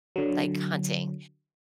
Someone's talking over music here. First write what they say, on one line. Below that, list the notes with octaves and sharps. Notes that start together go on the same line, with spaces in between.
like, hunting,
D3 F#3